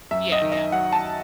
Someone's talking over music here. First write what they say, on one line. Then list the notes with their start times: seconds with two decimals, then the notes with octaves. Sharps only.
Yeah, yeah.
0.11 F#2 E5
0.32 D#5
0.42 D#3
0.52 D#5
0.72 F#3 F#5
0.93 A5